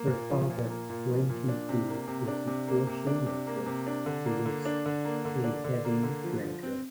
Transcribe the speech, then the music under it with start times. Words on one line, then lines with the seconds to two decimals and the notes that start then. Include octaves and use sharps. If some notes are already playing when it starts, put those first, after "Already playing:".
Her father, Wen Qifu was a poor shoemaker who was a heavy drinker.
Already playing: A#3
0.10 A#2
0.30 F3
0.50 A#2
0.70 A#3
0.90 A#2
1.09 F3
1.30 A#2
1.48 D4
1.69 C3
1.88 A#3
2.08 C3
2.28 D4
2.48 C3
2.68 A#3
2.87 C3
3.07 D4
3.26 C3
3.47 A#3
3.67 C3
3.87 D4
4.06 D3
4.26 A#3
4.46 D3
4.65 D4
4.86 D3
5.05 A#3
5.25 D3
5.44 D4
5.64 D3
5.85 A#3
6.03 D3
6.24 F3
6.43 F3
6.63 C4